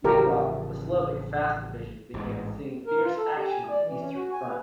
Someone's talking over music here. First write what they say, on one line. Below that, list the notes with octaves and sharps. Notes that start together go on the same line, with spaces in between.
Meanwhile, the Slovak Fast Division began seeing fierce action on the Eastern Front.
A1 C#3 F3 G4 A#4
A1 G#2
A#4
F4
A4
G4
G#5
D5
E3
C#4
F#4
G#5
B4